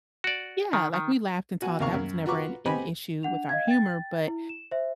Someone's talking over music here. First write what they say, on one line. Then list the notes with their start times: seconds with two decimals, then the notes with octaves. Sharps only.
yeah, like, we laughed and talked, that was never an an issue with our humor, but
0.24 F#4 D5
0.73 D#3
0.94 D#3
1.62 F#4 G#5
1.80 D#2 C3 A#4 F5 C#6
1.94 F#2
2.26 F4 F#4 B4 A#5 C#6 D6
2.65 B3 C4 G4 D#5 G#5 B5
3.23 D4 F#5 F7
3.49 D#5 F5 G#6
3.68 G5 A6
4.28 E4
4.49 E7
4.71 C5 E5